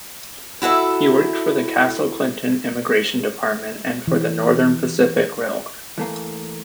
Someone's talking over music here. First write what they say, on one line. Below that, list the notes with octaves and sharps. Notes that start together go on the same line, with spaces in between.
He worked for the Castle Clinton Immigration Department and for the Northern Pacific Railway.
E4 F#4 A4 E5
E3
E3 A3 A#3